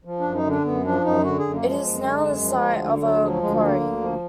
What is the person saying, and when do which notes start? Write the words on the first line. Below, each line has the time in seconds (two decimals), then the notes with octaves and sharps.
It is now the site of a quarry.
0.05 F3
0.20 F#2 D4
0.35 D#4
0.45 D3 D4
0.64 F#2 B3
0.84 F3 D4
1.04 F#2 D#4
1.24 D3 F#4
1.39 G#4
1.44 F#2
1.53 A#3
1.63 F3
1.68 G#3
1.83 F#2
2.03 D3
2.23 F#2
2.42 F3
2.62 D2
2.82 D3
3.02 D2 F#3
3.21 F3 F#3
3.41 D2 G#3
3.57 G#3
3.61 D3 A#3
3.81 D2
4.00 F3